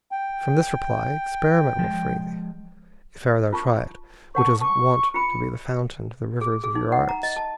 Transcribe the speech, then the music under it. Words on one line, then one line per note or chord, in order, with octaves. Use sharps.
From this reply experiment will free thee If e'er thou try it, which is wont to be The fountain to the rivers of your arts.
G5
F3 G#3
F4 A5 C#6
C#5 F#5 A5 C#6
A5 C#6 D6
F4 B5 C#7
G#4
G#4
D#4
F#5
A#5
D#5
A5